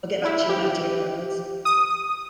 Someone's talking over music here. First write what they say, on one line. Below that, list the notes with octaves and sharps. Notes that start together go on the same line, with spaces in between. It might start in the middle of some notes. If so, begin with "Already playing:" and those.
I'll get back to you when I have a joke about this.
E4
G4
D#6